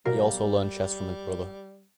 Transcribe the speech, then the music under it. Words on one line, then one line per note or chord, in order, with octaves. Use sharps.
He also learned chess from his brother.
B2 F#3 G3 A#4 F5